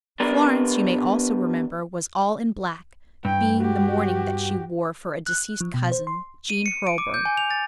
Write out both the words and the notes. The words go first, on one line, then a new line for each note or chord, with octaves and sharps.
Florence, you may also remember, was all in black, being the mourning that she wore for a deceased cousin, Jean Hurlbird.
B3 D4 G4 A#4 B4 D5
G2 G5
F#4 G4
F#6
F3
B2
C5
C6
D#7
C#7
D7
D6
G6
G#5
F7
A6